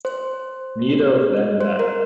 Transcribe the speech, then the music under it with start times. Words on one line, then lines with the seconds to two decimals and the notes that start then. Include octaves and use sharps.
Neither of them laughed.
0.05 C5
1.61 C5
1.79 A#4